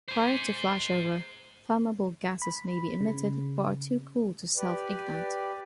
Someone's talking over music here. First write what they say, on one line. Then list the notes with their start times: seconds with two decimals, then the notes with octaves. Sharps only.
Prior to flashover, flammable gases may be emitted but are too cool to self-ignite.
0.08 G#4 C5
2.42 B5
3.01 C#3
4.56 G4 B4 D5